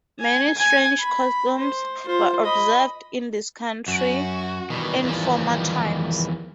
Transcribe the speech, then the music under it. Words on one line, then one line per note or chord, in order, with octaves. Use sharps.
Many strange customs were observed in this country in former times.
G#5
G#5
B5
C5
F4 C5
D#5 B5
F#2 F#4
B2 D#3 E3 G3
E2 F3